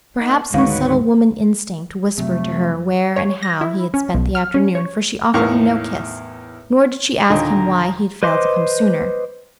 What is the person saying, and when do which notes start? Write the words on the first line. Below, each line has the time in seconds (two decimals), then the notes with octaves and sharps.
Perhaps some subtle woman-instinct whispered to her where and how he had spent the afternoon, for she offered him no kiss, nor did she ask him why he had failed to come sooner.
0.21 A#3 D#4 F#5
0.54 D2 G#2 D#3 F#4 B4 C#5 F5 C#6
2.18 F2 C3 F#3 A3
3.16 C#5
3.43 A#6
3.61 E4
3.94 C#4
4.14 B1
4.35 F6
4.54 C#4
4.75 C#5
5.34 E2 A2 D#4 A#4 F5 C#6
7.30 D#2 A#2 D3 D#5 A#5
8.23 B4 C5 D#5 C6 D6